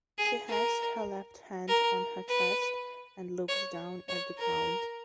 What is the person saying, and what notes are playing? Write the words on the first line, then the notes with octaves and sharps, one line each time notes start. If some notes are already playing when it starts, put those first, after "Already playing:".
She has her left hand on her chest and looks down at the ground.
G#4
A#4
A#4
B4
C#5
C#5
A#4